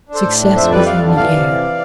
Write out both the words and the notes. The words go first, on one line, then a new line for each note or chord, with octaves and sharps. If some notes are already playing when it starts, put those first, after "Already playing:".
Success was in the air.
D4
A4 C5
A2
D4
F2 C5 E5
G3 B4 D5
F2 D5 F5
D3
E3 D5 F5
C3
E3